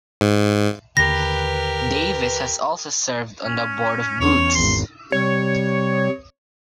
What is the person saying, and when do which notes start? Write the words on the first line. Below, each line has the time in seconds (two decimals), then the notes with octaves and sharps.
Davis has also served on the board of Boots.
0.21 G#2
0.97 D#2 D3 G4 A#4 B4 A#6
3.43 C#4
4.20 E2 C#4 C#5
4.55 G#1 E2 C6
5.12 C3 G3 C#5